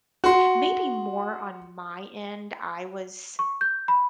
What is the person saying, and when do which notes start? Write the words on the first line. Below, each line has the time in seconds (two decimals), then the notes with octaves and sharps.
m maybe more on my end, I was
0.24 F#4 C6
3.39 C#6
3.61 G6
3.88 B5